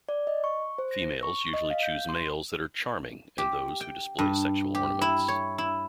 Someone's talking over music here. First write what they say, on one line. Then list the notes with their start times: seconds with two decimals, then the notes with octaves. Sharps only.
Females usually choose males that are 'charming' and those who display sexual ornaments.
0.09 D5
0.27 D#5
0.44 C#6
0.78 C5
0.91 A#6
1.23 C#6
1.54 D#5
1.70 F5
1.83 G6
2.09 C6
3.38 G4
3.81 G5
4.19 G2
4.75 G4
5.02 E4
5.28 C#5
5.58 E4